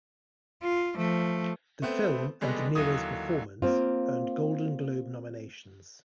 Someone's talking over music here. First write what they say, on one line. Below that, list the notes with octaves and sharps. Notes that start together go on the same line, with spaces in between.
The film, and De Niro's performance, earned Golden Globe nominations.
F4
F3 A3
A3 B3 C4
B2 D3 G3 G#3 B3
D#2 D3 E3 F#3 D#6
A#3 C4 F4